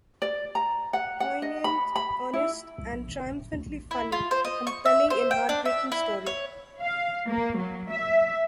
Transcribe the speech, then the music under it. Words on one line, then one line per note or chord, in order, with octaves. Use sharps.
Poignant, honest and triumphantly funny... A compelling and heartbreaking story.
D5
A#5
F#5
F#5
D#5
B5
B5
E4
C2
A#1
F#1
D1
D2
A#1
E4
F4
C5
D#5
C#6
E5
C5
G5
D4
E5
E4
C#5
F5
A#3
F#3
E5